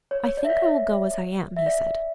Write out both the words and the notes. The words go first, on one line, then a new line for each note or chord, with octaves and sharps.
"I think I will go as I am," he said.
C#5
C#5
D5
E5
D5
C#5
E5
D5